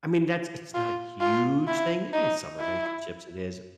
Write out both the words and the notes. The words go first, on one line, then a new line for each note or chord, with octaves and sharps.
I mean that's it's not a huge thing, maybe in some relationships it is
F4
F4
E4
D#4
E4